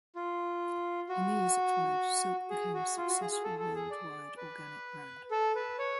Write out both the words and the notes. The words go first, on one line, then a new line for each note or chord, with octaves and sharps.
In the years that followed, Silk became a successful, world-wide, organic brand.
F4
F#4
G#4
F#4
F4
F#4
G#4
G#4
A4
A4
G#4
D5
B4
A4
B4
C#5